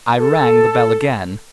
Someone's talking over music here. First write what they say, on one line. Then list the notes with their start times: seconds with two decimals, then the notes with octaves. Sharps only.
I rang the bell again.
0.16 A4